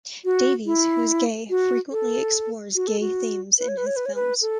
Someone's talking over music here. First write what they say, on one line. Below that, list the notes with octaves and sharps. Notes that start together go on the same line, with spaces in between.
Davies, who is gay, frequently explores gay themes in his films.
F#4
E4
F#4
A4
F#4
A4
F#4
B4
C#5
B4
C#5
B4
C#5
B4
A4